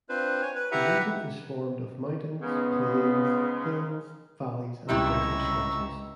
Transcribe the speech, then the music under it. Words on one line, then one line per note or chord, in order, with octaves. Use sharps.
The region is formed of mountains, plains, hills, valleys and desert stretches.
C4 D4 F4 B4 C5
C#5 G#5
B4
E4 G4 B4 E5 F#5 A#5
G#2 C#3 B3
C#2 C3 G3 E4 A#5 C#6 E6